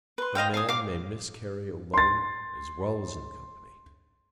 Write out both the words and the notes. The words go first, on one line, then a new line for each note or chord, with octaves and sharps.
A man may miscarry alone as well as in company.
B4 C6
C5 D#5 F5 G5
F5 G#5 D#6
F5 D6
C6 A6